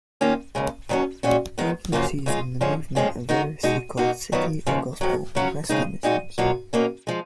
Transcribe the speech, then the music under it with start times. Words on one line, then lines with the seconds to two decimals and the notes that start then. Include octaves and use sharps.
Agencies in the movement are variously called "City" or "Gospel" or "Rescue" Missions.
0.21 D#2 D#3 A#3 C#4 F4
0.55 D#2 C#3 G#3
0.89 D#2 D#3 F#3 C#4
1.23 A#2 G#3 C#4 F#4
1.58 D#2 D#3 G#3 B3
1.92 F#2 C#3 F3 A#3 F4
2.26 C#3 G#3 C#4 F4
2.61 G#2 F3 G#3 C#4
2.95 F2 F3 G#3 C#4 F4
3.29 D#3 G#3 D#4 F#4
3.63 B2 G#3 D#4 F#4
3.97 B2 A#3 D#4 F#4
4.32 D#3 F#3 B3 F4
4.67 D#2 C#3 F3
5.01 F2 D#3 F#3
5.35 C#3 F#3 C#4 F4
5.69 F2 C#3 G#3 D#4
6.03 A#2 G#3 D#4 F#4
6.38 B2 F#3 A#3 F4
6.73 B2 A#3 C#4
7.07 F3 G#3